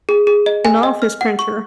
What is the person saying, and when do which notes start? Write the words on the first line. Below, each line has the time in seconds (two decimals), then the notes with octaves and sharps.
an office printer.
0.09 G#4
0.27 G#4
0.46 D#5
0.65 G#5
0.83 D#5
1.02 F6
1.21 F#5
1.39 C#6